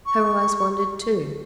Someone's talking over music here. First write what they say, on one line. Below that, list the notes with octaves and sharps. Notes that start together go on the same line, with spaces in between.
Her eyes wandered too.
C#6